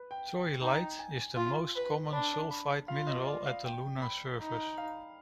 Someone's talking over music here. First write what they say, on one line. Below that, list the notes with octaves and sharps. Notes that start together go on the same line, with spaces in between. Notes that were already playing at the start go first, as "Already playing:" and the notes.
Troilite is the most common sulfide mineral at the lunar surface.
Already playing: B4
G5
D#4 G5
G#5
F4
B4
D4 B5
B5
F4 F5
D#5
D5
F5
G5
B5
D#4
F5